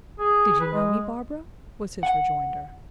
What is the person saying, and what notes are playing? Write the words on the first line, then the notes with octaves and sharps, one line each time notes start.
"Did you know me, Barbara?" was his rejoinder.
G#4
B4
G#3
F#5